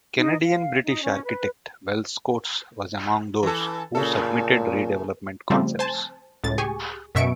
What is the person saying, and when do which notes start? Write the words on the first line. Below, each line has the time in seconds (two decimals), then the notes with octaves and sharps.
Canadian-British architect Wells Coates was among those who submitted redevelopment concepts.
0.17 D#4
0.45 F5
0.85 D#4
1.03 C#4
1.24 B4
3.43 E3 A4
3.95 A#2 C#3 A4
5.50 C#3 F3 G3 A3 C4
5.79 C5 G#5 A5
6.44 C#2 A2 A6
6.58 G4 G#4 G#5 C#6
7.15 F#2 B2 E5 C#6 D7